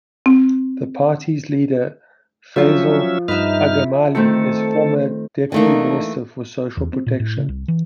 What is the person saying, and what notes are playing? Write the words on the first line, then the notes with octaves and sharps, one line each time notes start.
The party's leader Fazail Agamali is a former deputy minister for social protection.
C4
F3 F#3 C#4 F4 E5
G2 D#4 B4 E5 F6
D#3 A3 C4 A4
E3 A3 A#3 D4 D#4
E2
C4
A#2
A2
C#3
C2
E3